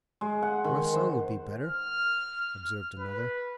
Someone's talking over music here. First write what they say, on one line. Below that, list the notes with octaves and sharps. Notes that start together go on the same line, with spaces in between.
"Or a song would be better," observed another.
G#3
F#5
D#3
C5
F6
B4